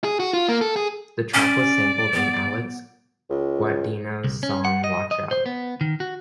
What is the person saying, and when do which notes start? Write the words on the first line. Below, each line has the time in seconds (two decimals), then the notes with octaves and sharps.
The track was sampled in Alex Gaudino's song Watch Out.
0.04 G#4
0.20 F#4
0.34 F4
0.49 A#3
0.61 A4
0.76 G#4
1.34 C#4 D5
2.13 B3
3.30 C#2
4.24 C2
4.43 C#4
4.65 F#5
4.84 D#5
5.11 D#5
5.31 C5
5.46 B3
5.81 D#3
6.00 F#4